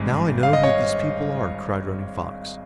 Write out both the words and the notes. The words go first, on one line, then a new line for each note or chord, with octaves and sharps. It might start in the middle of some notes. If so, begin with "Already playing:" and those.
"Now I know who these people are," cried Running Fox.
Already playing: G#1 G2 G#3
F5
D#5
C#5